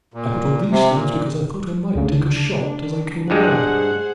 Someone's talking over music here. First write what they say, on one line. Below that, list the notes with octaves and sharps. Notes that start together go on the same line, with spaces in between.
I put on these things because I thought I might take a shot as I came along.
A#2
C3
A#2
D2 C#3 D4
G2 G3 G#3 G#4 C5 F#5